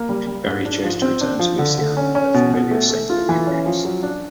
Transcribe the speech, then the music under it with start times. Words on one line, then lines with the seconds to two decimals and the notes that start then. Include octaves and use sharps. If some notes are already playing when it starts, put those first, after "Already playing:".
Berry chose to return to Lucy Ann and her familiar Saint Louis roots.
Already playing: A#3
0.09 G3
0.27 G3
0.46 G#2
0.65 D4
0.83 F3
1.02 C4
1.21 D4
1.39 F3
1.59 D3
1.78 D3
1.97 C#4
2.15 C#4
2.34 B2
2.54 B2
2.71 A3
2.90 A3
3.10 F4
3.29 E3
3.47 C#4
3.66 F3
3.85 F#3
4.03 D4